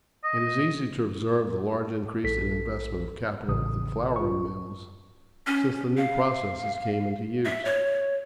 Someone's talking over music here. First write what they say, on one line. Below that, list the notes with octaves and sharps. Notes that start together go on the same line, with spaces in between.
It is easy to observe the large increase in investment of capital in flouring-mills since the new processes came into use.
D#5
A#1 A4 B6
A1 C#3 D#6
F4 C#6
C#4
F5
E5
C#5